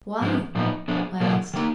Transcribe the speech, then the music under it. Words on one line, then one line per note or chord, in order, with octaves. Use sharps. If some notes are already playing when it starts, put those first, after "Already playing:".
"Why?" I asked.
G#2 F3 G#3 B3
A#2 F3 B3 D#4
F3 B3 D4 G#4
B2 F#3 A#3 F4 G#4
D#3 A#3 D#4